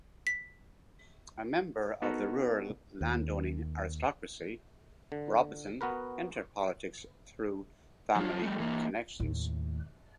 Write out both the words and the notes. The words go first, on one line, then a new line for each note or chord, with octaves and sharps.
A member of the rural landowning aristocracy, Robinson entered politics through family connections.
B6
B3 D#4 F#4 A4 A#4
D#2
D3
B3 F#4 A#4 B4
F#3 F4
G3 A3
E3 A#3
D#2 A2